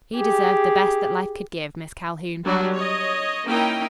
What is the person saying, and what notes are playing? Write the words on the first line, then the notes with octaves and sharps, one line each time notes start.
"He deserved the best that life could give, Miss Calhoun."
G4 G#4
F#3 G3 D4 F#4
C#5 D#5
A#3 C#4 D#4 E4 G5